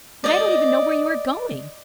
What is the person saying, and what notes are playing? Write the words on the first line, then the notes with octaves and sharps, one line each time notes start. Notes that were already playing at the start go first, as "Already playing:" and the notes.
But I don't even know where you are going.
D5 D#5